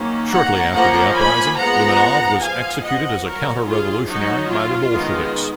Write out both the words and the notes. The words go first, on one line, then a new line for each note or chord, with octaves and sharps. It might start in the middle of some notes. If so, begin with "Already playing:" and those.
Shortly after the uprising, Lamanov was executed as a counter-revolutionary by the Bolsheviks.
Already playing: D#3 F#3 A#3 C#4
F#5 A#5
F3 A#3 C#4 F#5 A#5
G#5 B5
F3 G#3 B3 F#5 A#5
F3 B3 F5 G#5
D#5 F#5
F#3 C#4 F#4 A#4
F4 G#4
F#3 C#4 D#4 F#4
F4
D#3 G#3 B3